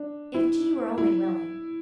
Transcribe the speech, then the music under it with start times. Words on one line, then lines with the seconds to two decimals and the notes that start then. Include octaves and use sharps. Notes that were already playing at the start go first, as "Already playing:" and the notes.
If T. were only willing!...
Already playing: D4
0.34 E4
0.98 E4